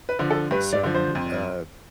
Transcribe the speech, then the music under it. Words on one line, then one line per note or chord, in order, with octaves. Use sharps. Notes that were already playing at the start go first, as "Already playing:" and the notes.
some, uh,
B4
D3 F3
A4
G2 B4
D5
D3 F3
C5
F2